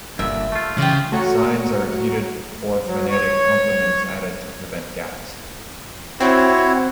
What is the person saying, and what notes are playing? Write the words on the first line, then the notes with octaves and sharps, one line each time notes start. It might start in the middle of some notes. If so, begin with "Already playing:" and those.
Signs are repeated or phonetic complements added to prevent gaps.
F#1 G2 A#2 D3 E5
A3 F4
C#3 E3 F4 D5 G5
A3 F#4 C#5 A#5 C#7
F#3
C#5
C4 E4 F#4 C#5